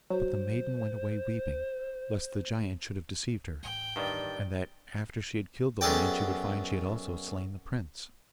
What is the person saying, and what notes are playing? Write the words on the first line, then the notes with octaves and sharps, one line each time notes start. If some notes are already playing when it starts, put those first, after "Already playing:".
But the maiden went away weeping, lest the giant should have deceived her, and that after she had killed the lion she would find she had also slain the prince.
F#3 C5
A1 E2 G5
G2 D#3 D5
F#2 B3 G#4 A4 D5 G5